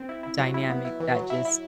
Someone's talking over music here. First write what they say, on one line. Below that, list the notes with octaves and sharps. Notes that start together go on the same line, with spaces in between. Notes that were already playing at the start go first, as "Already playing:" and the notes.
dynamic that just
Already playing: C4
E4
E4
F#3
E4
B3
E4
E3
F#3
E4
E4